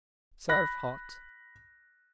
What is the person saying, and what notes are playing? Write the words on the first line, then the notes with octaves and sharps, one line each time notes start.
Serve hot.
B5 F#6 A#6